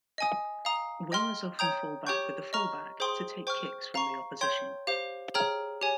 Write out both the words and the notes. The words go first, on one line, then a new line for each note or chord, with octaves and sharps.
Wingers often fall back with the fullback to take kicks from the opposition.
D#5 G#5 D#6
F5 A#5 D#6
D#5 G5 C6 F6
C#5 G5 A#5 D#6 G6
G4 C#5 G5 C#6 G6
D#5 A#5 C#6 F6
G#4 C5 G5 C6 D#6
C5 G5 C#6 F6
F5 A#5 C#6
C#5 G5 C6 G6
G4 C5 F5
G#4 C#5 G5 A#5 F6
G4 C#5 G#5